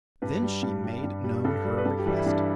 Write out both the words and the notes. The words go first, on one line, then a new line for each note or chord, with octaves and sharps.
Then she made known her request.
G2 B4
G3
G2
G3
G2
G3
G2 A4
G3
B4
G2 A4
G4
E3 G3
E4
G2 D4